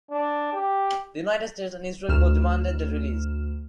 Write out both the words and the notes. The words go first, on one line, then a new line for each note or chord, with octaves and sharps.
The United States and Israel both demanded their release.
D4
G4
D2 F6 E7